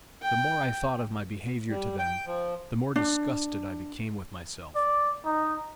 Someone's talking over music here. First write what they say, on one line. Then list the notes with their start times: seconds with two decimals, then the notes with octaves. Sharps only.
The more I thought of my behaviour to them, the more disgusted I became with myself.
0.22 G5
1.69 G3
1.99 G5
2.26 F3
2.96 D4
4.75 D5
5.25 D#4